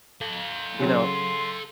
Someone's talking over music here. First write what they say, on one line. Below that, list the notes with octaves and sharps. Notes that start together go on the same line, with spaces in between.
you know
A4 F5
C#3 F#3 C6